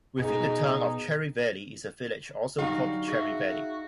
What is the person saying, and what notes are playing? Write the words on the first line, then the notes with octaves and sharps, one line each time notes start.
Within the Town of Cherry Valley is a village, also called Cherry Valley.
B2 D#4 G#4
D3 F#3 G3 D#4 F#4 F5
F#4 G#4 D#5 E5